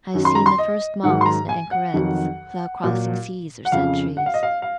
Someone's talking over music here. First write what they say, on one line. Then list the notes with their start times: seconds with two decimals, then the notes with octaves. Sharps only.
I have seen the first monks and anchorets, without crossing seas or centuries.
0.14 F#2 D#3 F#3
0.25 C6
0.35 A#5
0.46 C6
0.58 D#5
1.03 G#2 D#3 F#3 F#5
1.21 C6
1.26 A#5
1.49 G#5
1.71 F#5
1.94 F2 D#3 F#3
2.83 A#2 F#3
3.65 F#5
3.72 F2 C#3 F3 F5
4.17 F#5
4.26 F5
4.34 D#5
4.43 F5
4.62 F5